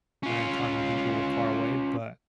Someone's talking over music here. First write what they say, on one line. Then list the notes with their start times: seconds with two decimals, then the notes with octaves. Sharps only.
eh, talking to people far away, but,
0.23 C#4 F4